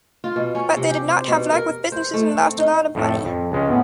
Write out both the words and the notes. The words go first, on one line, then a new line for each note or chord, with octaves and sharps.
But they did not have luck with businesses and lost a lot of money.
F4
B2
C#4
C3
G4
C5
B2
A#4
C5
A3
C4
D#4
F2 A2 A4
F2
C#2 G#3 C#4
A2 B3